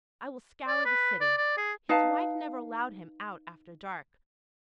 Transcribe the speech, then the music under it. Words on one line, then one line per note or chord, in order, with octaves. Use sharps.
"I will scour the city." His wife never allowed him out after dark.
D5
B4
D5
D5
G#4
D#4 B4 F5 A5